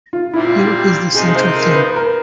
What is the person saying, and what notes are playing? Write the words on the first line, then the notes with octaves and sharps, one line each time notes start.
Europe is the central theme.
F4
A#2 G3 C4 E4
F4
G4
C3 F3 G#3 C4 D#4 G#4
C5
A#4
A#4
B4
B4
A#4